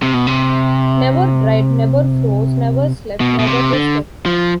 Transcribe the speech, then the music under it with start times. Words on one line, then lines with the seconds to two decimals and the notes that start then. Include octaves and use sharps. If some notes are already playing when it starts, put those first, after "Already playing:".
Never dried, never froze, never slept, never rested.
0.02 C3
0.14 B2
0.27 C3
3.20 B2
3.39 B2
3.47 C3
3.73 D3
4.26 F3